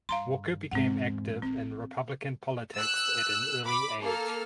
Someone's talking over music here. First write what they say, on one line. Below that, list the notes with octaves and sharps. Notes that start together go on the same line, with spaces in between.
Walker became active in Republican politics at an early age.
G2 F5 A#5 C6
E2 G#2 C4 F#5
A1 C4
E6 F#6
B5 D6
A#3 A4 F6